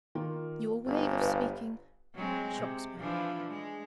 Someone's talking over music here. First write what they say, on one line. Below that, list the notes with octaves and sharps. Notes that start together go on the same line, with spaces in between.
'Your way of speaking shocks me.
D#3 A#3 F4
G1 B3
B4 F5
F#3 G#3 C4
C3
E3 F3 D4
G#3